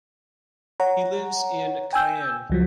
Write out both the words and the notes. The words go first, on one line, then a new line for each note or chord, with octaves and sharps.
He lives in Caen.
C#5 F#5 A#5
G5 G#5 E6 G6
C#2 F3 F#3